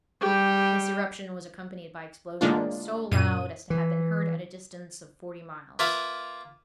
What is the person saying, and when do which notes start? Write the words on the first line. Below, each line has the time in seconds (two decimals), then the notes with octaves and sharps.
This eruption was accompanied by explosions so loud as to have been heard at a distance of forty miles.
0.21 G3 G4
2.41 A2 D3 G#3 A#3 D4 F4
3.11 F#2 A#2 D#7
3.70 E3
5.79 A#3 F4 B4 E5 F5 A#5